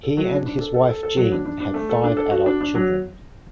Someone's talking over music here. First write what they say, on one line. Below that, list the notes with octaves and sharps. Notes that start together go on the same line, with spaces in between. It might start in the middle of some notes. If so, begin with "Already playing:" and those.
He and his wife Jeanne have five adult children.
A4
F#3
D4
D4
A4
A4
A4
A4
F#3
D4
D4
D4
A3
A4
D4
A4
F#4
D4
D4
F#3